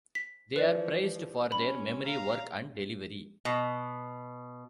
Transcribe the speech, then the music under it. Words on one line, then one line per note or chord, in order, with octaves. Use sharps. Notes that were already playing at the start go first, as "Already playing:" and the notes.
They are praised for their memory work and delivery.
B6
E3 F3 B4 D5
C#4 B5
F5 A#5
B2